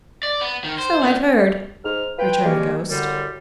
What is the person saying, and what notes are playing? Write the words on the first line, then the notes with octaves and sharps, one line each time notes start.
"So I've heard," returned the ghost.
D5
B3
D#3
C5
A#2
G#2 F6
F4 B4 G5
G3 G#3 A#3 C#4
F#2 A2 D3 G3